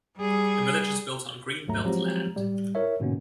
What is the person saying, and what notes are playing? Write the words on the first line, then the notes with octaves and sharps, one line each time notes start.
The village is built on green belt land.
G3 G#4
A#1 D#2 G#2 F#3 A3 A#5
F3 F#3 G#3 C4 G4 A#5
A2 G3
E4 A#4 C#5 E5
G#2 B2 D3 A#3 B3 C#4